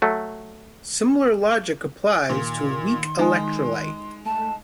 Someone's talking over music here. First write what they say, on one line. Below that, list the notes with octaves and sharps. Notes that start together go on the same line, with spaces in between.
Similar logic applies to a weak electrolyte.
F#3 A3
A#2 D#3 C6
G#3 D#4 G#5 D#6
A3 A5